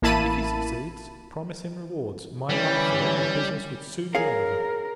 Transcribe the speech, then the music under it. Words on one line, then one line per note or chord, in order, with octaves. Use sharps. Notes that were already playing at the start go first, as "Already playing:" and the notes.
If he succeeds, promise him rewards; my life for it, the business would soon be over.
A1 A#3 E4 A5 B5 D#7
D3 E3 G3 A3 C#4 C#5
G#4 A#4 C#5 F5